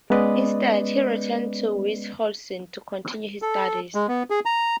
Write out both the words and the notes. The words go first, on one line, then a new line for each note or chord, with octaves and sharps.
Instead he returned to Witzenhausen to continue his studies.
G#3 B3 C#4 B4 D5 D#5
A4
G#3
B3
G#4
A#5